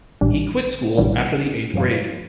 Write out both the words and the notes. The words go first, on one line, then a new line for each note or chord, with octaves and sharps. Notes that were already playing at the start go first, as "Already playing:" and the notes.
He quit school after the eighth grade.
A#1 A2 E3 G3 D4
A#1 A2 E3 G3 D4
G2 F3 C#4 F4